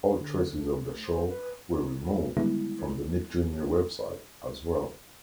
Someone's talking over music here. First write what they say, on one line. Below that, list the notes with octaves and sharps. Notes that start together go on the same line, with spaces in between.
All traces of the show were removed from the Nick Junior website, as well.
D3
A3
C5
B4
D3 D#3 G3 G#3 B3 E4